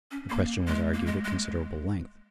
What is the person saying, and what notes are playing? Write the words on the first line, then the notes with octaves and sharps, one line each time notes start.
The question was argued at considerable length.
C#4
A#3
G#3
A#3
G#3
G#3